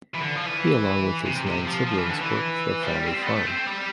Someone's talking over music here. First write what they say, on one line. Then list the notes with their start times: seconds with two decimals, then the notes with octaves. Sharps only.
He along with his nine siblings worked the family farm.
0.14 E3
0.18 D3
0.36 F3
0.46 E3
1.26 C3
1.46 C3
1.66 F3
1.87 F3
1.98 E3
2.09 D3
2.21 E3
2.83 F3
2.87 G3
3.06 C4
3.23 B3
3.27 A3
3.47 C4
3.67 G3